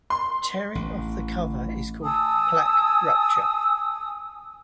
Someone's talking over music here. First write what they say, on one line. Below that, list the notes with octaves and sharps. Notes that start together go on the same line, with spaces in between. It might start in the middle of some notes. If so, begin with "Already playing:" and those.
Tearing of the cover is called "plaque rupture".
C6
A1
G#5 A5 D#6 E6